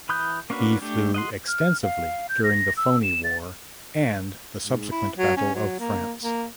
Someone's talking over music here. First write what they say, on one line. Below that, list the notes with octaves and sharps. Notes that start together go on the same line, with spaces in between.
He flew extensively during the Phoney War and the subsequent Battle of France.
E3 B5 D#6 F#6 G6
A#3 C#4 D4 F#4 B4
A3 D4 G4
D#5 F#5 C6
F6
F5
G6
A#6
E6
E7
A6
G#2
E4
F#3
C#4
F#3
A#3
A#3